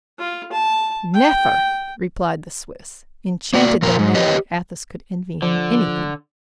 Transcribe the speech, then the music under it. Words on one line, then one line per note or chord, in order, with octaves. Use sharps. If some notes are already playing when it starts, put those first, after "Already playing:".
"Neffer," replied the Swiss, enchanted that a man like Athos could envy him anything.
F4
A5
G5
A#3 F#4 D5
F2 A#2 A#4
G#2
G4 B4 C#5 D#5
D3 F3